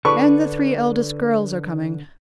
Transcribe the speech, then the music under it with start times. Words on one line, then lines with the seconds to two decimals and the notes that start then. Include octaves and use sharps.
"And the three eldest girls are coming."
0.05 D3 A4 B4 D5 C#6